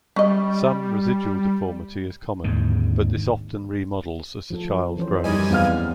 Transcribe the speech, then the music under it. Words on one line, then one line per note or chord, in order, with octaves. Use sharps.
Some residual deformity is common but this often remodels as the child grows.
G3 C#4 D#5
G#1 D#2 G#2 D3
F3 A4
E3 C#4 C5
F#2 G3 D#4 D5 D#5 G#5
E2 B3 C4 F5 F6